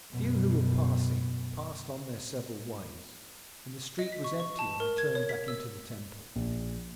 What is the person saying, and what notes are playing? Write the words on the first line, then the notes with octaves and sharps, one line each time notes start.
The few who were passing passed on their several ways, and the street was empty when I turned back into the Temple.
F#2 B2
D#5
B6
C#6
C#6
A5
A#4
G#6
C#5
B6
E6
A#1